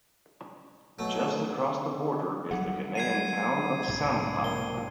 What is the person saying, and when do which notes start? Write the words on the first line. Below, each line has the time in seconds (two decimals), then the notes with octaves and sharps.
Just across the border is the Ghanaian town of Sampa.
0.99 B2 F#3 A3
2.51 F#3 G3 F#5
2.95 F#5 G#6 C7 D#7
3.88 B1 G#2 C3
4.44 A#3 C4 D4 G7